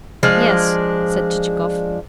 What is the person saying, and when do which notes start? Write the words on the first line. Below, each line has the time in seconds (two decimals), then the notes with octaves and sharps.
"Yes," said Chichikov.
0.23 F3 G#3 D4